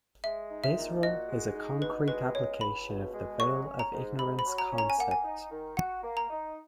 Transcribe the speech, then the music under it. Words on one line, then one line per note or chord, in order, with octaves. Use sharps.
This rule is a concrete application of the veil of ignorance concept.
G#3 E5
D#4
E5
A#2
F#4 D#5
G#3
D#4
B2 B4
G#3 B4
C#2 C#5
C#2 B5
B2
G#3
F#3 C#6
C#4
A#5
G#2
G#2 B5
B5
F#3
A#5
C#4
A#5
G#5
A#3 F#5
G#5
D#4
D#3
F#4 F#5
A#3
A#5
D#4